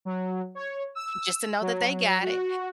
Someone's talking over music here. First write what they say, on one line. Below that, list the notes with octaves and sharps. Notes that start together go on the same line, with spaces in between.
just to know that they got it,
F#3
C#5
E6
F#3
F#4